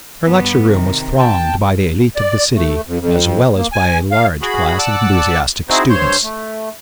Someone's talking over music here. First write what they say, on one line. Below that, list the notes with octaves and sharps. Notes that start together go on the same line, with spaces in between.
Her lecture room was thronged by the elite of the city, as well as by a large class of enthusiastic students.
G2 B3
C3 D#3
G5 A5
D5
A3
F2
F2
A#3
G#5
F5
F#4 G#4 B5
D5 F#5 A5 D6 E6
C4 D#4 E4 F#4 G#4 C5
G2 C5 C#5 C6 G6
A3